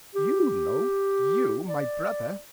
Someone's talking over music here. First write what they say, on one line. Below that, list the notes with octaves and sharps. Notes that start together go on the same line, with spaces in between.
"You know,--you, my brother."
G4
D5